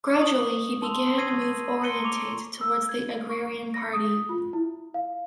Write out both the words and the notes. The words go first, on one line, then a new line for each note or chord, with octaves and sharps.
Gradually he began move orientate towards the agrarian party.
C#6 D#6 F#7
A5 C6 E6 F7 F#7
C#6 E6 G#6 A#6 C7 D#7
D#7
A#5 C6 A#6 C#7 D#7 G7
C#6 D6 F7
E6
G#6
C#6
A#6
D#6
F4
E4
F5